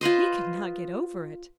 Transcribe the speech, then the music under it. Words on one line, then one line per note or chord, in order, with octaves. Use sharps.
He could not get over it.
F4 B4 C5 D#5